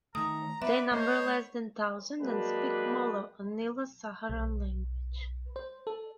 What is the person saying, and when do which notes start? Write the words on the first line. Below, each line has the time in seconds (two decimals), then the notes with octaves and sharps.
They number less than thousand and speak Molo, a Nilo-Saharan language.
0.15 D#3 A3 A#5 D#6
0.62 B3 B4 D5 E5
0.92 A3 C5 C#5 D#5
2.22 F#3 G#3 A#3 D4 G4 B4
4.29 B1
5.56 C5
5.87 A4